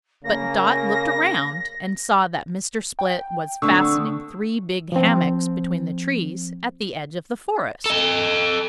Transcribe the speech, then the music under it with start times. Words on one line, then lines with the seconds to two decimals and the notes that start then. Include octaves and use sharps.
But Dot looked around and saw that Mr. Split was fastening three big hammocks between the trees at the edge of the forest.
0.24 C#3 A#3 A#6
2.99 G5
3.62 D3 A3 C4 C#6 D#6 E6
4.92 F3 C4
7.86 A4 D#5